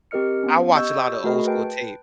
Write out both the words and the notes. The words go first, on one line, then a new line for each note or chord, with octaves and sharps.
I watch a lotta old school tape.
C4 G4 A#4 D#5 F6 C#7
B3 C#4
G4 D#5 C#6 E6 G6 G#6
A3 F#4 G#4 A#4 D#5 B5
B4 G5 A5